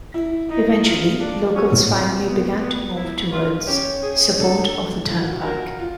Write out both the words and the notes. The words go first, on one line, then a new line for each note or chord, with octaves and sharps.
Eventually, locals finally began to move towards support of the turnpike.
E4
D#4 E4
F4
D4 F4
C#4 F#4
C4 F4
B3
B3
E4
F4
C#4 G4
G#4
D4 A4
F4
F#4
F#4
F#4 A#4
F4